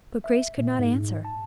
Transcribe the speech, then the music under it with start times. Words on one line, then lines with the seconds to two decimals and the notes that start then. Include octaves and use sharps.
But Grace could not answer.
0.24 E5
0.58 A#2
0.79 G#2
1.25 A5